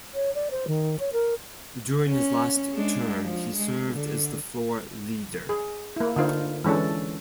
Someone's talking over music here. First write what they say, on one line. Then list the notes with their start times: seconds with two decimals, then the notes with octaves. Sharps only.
During his last term, he served as the floor leader.
0.14 C#5
0.34 D5
0.50 C5
0.67 D#3
0.99 C#5
1.12 A#4
2.08 C#4
2.74 G#3 D4
3.22 F3
3.55 G#3
3.92 D3
5.49 G#4
5.96 A#3 E4
6.16 D3 D#4 F4 C5
6.64 E3 G#3 C#4 D4 A4